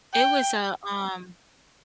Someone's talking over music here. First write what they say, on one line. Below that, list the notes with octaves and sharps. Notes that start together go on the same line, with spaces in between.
it was a, um
G5